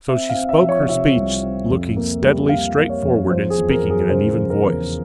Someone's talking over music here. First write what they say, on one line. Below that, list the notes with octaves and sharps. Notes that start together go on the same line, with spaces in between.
So she spoke her speech looking steadily straight forward and speaking in an even voice.
C4 E5
F5
C4
E5
F3
C#5
C#5
C3 E5
C2
C4
F2
A#3
G3
A#3 F5
A#3
C#5
F2
F3 C5
G#4
E2
A#4
F3
G#4
C#3 C5
F3
A#4
E2